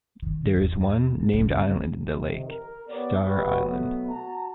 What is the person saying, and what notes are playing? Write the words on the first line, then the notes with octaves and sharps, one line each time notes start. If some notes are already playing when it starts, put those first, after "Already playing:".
There is one named island in the lake, Star Island.
D#3
E2
F#1 D2
F2 C3 D#3
A#4
B3 G4 C#5 D5
F#4 G4 B4
B2 F#3 A3 B3
F#4 A5 A#5